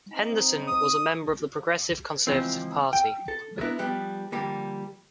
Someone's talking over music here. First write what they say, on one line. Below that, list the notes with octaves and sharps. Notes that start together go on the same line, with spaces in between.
Henderson was a member of the Progressive Conservative Party.
C4 D#4
D#6
C#2 E3 F3 C4
G5
A4
B3 D4 E4 A#4
F3 G3 B3
D3 F3 G3 A#3